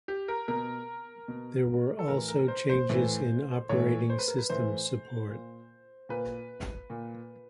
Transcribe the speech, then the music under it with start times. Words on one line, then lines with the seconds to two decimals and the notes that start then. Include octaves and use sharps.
There were also changes in operating system support.
0.08 G4
0.28 A#4
0.48 B2 A#4
1.28 B2
1.99 A4
2.08 A2 E3 A#4
2.28 A#4
2.48 C5
2.69 C5
2.89 A2 E3
3.69 A2 E3 C#5
4.10 C5
4.19 B4
4.28 A#4
4.38 B4
4.50 A2 E3 C5
5.29 A#2
6.09 A#2 B4
6.90 A#2